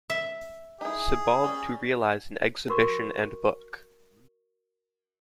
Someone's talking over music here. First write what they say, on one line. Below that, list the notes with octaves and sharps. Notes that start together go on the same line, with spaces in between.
Sebald to realise an exhibition and book.
E5
D#4 E4 G#4
G3 C#4
F#4 A#4 C#6